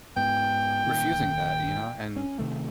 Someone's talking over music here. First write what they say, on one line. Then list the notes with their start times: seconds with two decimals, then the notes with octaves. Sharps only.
refusing that, you know, and
0.16 G#2 B3 G5
0.85 A#2 D#3
1.11 D#1 D#2
2.16 C#4
2.39 C3 D#3 A3